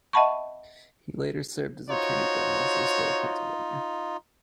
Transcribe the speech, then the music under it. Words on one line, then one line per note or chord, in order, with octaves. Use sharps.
He later served as Attorney General for the state of Pennsylvania.
D#5 E5 F#5 A5 B5 C#6
D#4 F4 F#4 C5 C#5